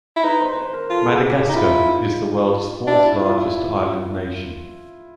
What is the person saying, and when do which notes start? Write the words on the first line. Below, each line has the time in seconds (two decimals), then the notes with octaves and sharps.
Madagascar is the world's fourth-largest island nation.
0.16 E4
0.24 D#4 B4
0.41 C5
0.57 C5
0.74 A#4
0.90 F4 A4
1.06 G#4
1.23 G4
1.40 G4
1.49 D#4
1.55 E4 F4
1.89 D#4
2.87 D4 E4
3.04 E4
3.21 F4
3.36 E4